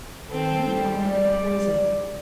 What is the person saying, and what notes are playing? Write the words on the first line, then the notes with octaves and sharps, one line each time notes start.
"You are a poisoner."
D#3 C4 A4
G3
D5